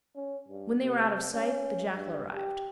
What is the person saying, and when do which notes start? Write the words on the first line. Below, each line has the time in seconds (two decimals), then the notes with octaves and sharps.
When they were out of sight the jackal arrived.
0.16 C#4
0.48 G2
0.83 C3
1.34 C#4
1.95 G2
2.34 G4